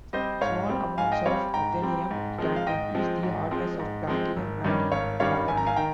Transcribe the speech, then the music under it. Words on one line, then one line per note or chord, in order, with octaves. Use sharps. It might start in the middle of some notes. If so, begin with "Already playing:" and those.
Small amounts of ruthenium can increase the hardness of platinum and palladium.
G3 C4 C5 D#5
G#2 C#5 F5
G3 C4
G#2 F5 G#5
D#5 G5
G3 C4 C#5 F5
G#2 G5 A#5
G3 C4
G#2
F3 G#3 C4
F5
G#2 D#5 G5
F3 G#3 C4
G#2
F3 G#3 C4
G#2
F3 G#3 C4
G#1
G2 D#3 G3 C#4
G#1 C#5 F5
G2 D#3 G3 C#4 C#5 F5
G#1 G#5
A#5
F5 G#5
D#3 G5 A#5